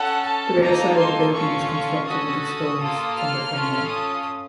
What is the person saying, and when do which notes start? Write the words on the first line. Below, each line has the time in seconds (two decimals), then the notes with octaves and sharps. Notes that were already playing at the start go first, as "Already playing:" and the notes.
The rear side of the building is constructed with exposed timber framing.
Already playing: C#4 A4 F#5
0.23 A5
0.60 A#3 D#4 A4 A#5
0.96 C6
1.33 C#4 F4 A4 C#6
2.05 C#4 F#4 A4 D#6
2.78 A#3 F4 A4
3.15 F6
3.52 C#4 F4 A4
3.88 D#6